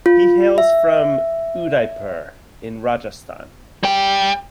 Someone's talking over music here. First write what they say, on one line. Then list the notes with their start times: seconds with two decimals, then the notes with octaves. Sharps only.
He hails from Udaipur in Rajasthan.
0.06 F4
0.58 E5
3.83 G3 G5